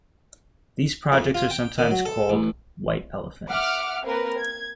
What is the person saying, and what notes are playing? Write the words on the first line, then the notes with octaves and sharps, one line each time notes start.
These projects are sometimes called 'white elephants'.
F2
F4
G5
D#3
F#3
A4
A1
E5 F#5 D6 F6
A#3 C4 A#4 B4
G#6